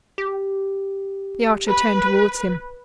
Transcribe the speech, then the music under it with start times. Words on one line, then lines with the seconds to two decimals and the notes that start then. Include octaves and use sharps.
The archer turned towards him.
0.18 G4
1.68 B4